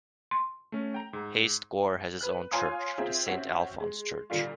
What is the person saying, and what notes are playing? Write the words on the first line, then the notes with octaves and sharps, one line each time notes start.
Heist-Goor has its own church, the Saint Alfons church.
C6
A3 C#4
G5 A#5
G#2
B4 F#6 F#7
F4 C#5 F5 G#5 C6 D#6
C4 F4 G#4 E5
C4 C#4 F#4 E5
G#3
A#2 D3 G3 F4